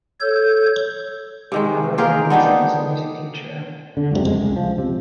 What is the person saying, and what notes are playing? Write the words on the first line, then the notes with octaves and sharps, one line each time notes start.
Alan Edmondson is a music teacher.
A4 C#5 G6
C3 D#3 G#3
F4 G4 G#4 A#4
B3 D4 D#4 G4
D3
C#2 F#2 C3
C2 F2 G#3
C#2
F3
C3